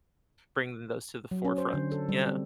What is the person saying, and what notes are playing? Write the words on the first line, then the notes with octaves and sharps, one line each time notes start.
bringing those to the forefront, yeah.
F#3
C#4
C5
D3
A4
G3
C4